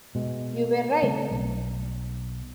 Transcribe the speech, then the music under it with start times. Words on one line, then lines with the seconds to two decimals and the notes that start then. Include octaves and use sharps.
You were right!
0.15 B2 G#3
1.02 C#3 G3 A3 C4
1.31 B1